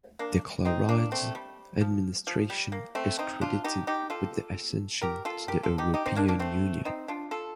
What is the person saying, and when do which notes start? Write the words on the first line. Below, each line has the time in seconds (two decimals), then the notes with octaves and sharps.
The Clerides administration is credited with the ascension to the European Union.
0.19 A#3 D4
0.65 C4 D#4
0.89 A#3 D4
1.12 A3 C4
1.35 G3
1.81 F3
2.27 F3
2.50 G3
2.72 A#3
2.95 A3 C4
3.19 C4 D#4
3.41 D4 F4
3.64 D#4 G4
3.87 D#4 G4
4.10 F4 A4
5.02 G4 A#4
5.25 F4 A4
5.48 G4 A#4
5.63 F4 A4
5.78 D#4 G4
5.94 D#4 G4
6.06 C4 D#4
6.16 A#3 D4
6.28 A#3 D4
6.39 A3 C4
6.85 C4 D#4
7.08 D4 F4
7.31 F4 A4